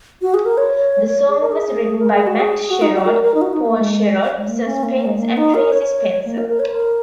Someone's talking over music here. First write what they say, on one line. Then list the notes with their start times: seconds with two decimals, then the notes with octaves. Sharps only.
The song was written by Matt Sherrod, Paul Sherrod, Sir Spence and Tracie Spencer.
0.22 F#4
0.34 G#4
0.45 A#4
0.57 C#5
1.28 G#4
1.41 A#4
1.52 G#4
1.99 A#4
2.13 G#4
2.27 F#4
2.40 G#4
2.70 F#4
2.82 D#4
2.94 F#4
3.06 A#4
3.23 A#4
3.34 D#4
3.41 F#4
3.53 D#4
3.65 A#3
3.77 G#3
4.38 G#3
4.48 A#3
4.65 C#4
4.83 A#3
4.95 A#3
5.06 G#3
5.19 A#3
5.37 D#4
5.54 A#4
5.72 C#5
6.25 A#3
6.37 A#4
6.49 A#4
6.60 C#5
6.71 A#4